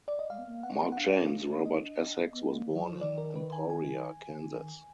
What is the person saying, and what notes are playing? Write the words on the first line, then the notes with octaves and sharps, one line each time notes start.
Mark James Robert Essex was born in Emporia, Kansas.
D5
D#5
G#3 F5
B3
A#3
B3 F#5
B3
F#5
D4 F5
D4
D#5
B3
A#3
F#3
F3
D#3 D5
A#4
B4
G#5
G#5
D3
D#3